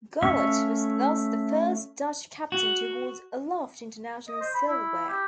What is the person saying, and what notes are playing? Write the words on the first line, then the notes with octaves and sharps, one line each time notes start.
Gullit was thus the first Dutch captain to hold aloft international silverware.
A3 C#4 E5 F5 C#6
F#4
D#5
C5
B5
E4
G4